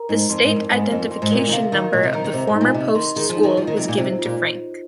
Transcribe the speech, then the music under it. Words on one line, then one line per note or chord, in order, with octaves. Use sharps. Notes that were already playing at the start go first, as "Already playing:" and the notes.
The state identification number of the former Post school was given to Frank.
Already playing: A#4 A#5
G#2 D#4
F2 C6
G#2
A#4
F2
G#2 G#5
F2 A#4
F2 C6
G#2
A#2 A#4
G#2
A#2
D#3
C3 F5
D#3 A#4
A#2 D#5
C3
D#3 A#5
D#3
C3 C5
G#2
D#4
A#2
C3 D#5
D#3 C6
D#3 G#4
F3
D#4
D#3
F3 D#5
D#3
C3 F4
A#2
C3 C5
F4
A#2